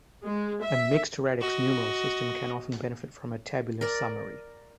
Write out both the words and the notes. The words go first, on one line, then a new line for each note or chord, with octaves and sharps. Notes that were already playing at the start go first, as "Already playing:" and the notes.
A mixed radix numeral system can often benefit from a tabular summary.
G#3
E5
F#4 D#5
A#4 D5